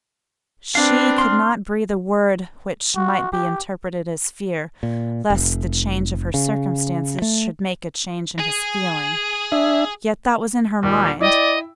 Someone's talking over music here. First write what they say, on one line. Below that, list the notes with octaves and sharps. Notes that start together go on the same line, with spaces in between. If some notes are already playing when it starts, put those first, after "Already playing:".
She could not breathe a word which might be interpreted as fear lest the change of her circumstances should make a change in his feeling. Yet that was in her mind.
C4 D4 B4 F5
C6 F6
F#4
G4
A#2
F1
C#3
A3
G#4
D4 E5
D#2 A#2 G3
E4 D5 D#5 G5